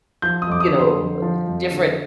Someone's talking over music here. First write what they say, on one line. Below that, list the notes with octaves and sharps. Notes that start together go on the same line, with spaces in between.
you know, uh, different
F3 G6
D#6
F2 D6
D#6
D3
C6
F2
F3
F2
D3